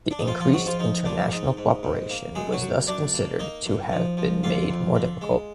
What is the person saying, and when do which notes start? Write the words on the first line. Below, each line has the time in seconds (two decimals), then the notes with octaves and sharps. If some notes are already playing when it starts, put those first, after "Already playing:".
The increased international cooperation was thus considered to have been made more difficult.
0.11 D4
0.19 D#4
0.27 F3 F4
0.40 F3 F4
0.53 G#2 F#3 F#4
0.66 F3 F4
0.79 F3 D#4
1.05 F3 D4
1.31 G#2 D#4
1.57 G#2
1.83 G#2
2.10 A#3
2.35 F#2 G#3 G#4
2.53 F#3 F#4
2.61 F#2
2.87 F#2 D4 D5
3.14 A#3
3.39 A#3 D#4 D#5
3.66 F#2
3.91 F3
4.17 F3
4.43 D3 F4 F5
4.69 F2
4.95 D3
5.21 G#3